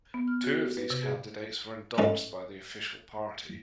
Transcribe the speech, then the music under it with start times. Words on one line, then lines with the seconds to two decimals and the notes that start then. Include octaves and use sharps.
Two of these candidates were endorsed by the official party.
0.14 B3
0.28 F6
0.44 F#4
0.61 G4
0.77 B4
0.90 C3
1.03 G#4
1.98 A1 G#2 C#4 A4